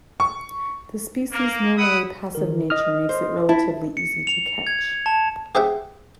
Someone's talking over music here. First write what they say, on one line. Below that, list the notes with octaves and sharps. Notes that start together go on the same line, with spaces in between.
The species' normally passive nature makes it relatively easy to catch.
C#6
A#3
E4 F#5 B5 D#6
D#3 A#4
D#5 D#6 F6
C5
E4 A5
C#7
F7
G#6
A5
G4 G#4 C5 E5 F#5 G5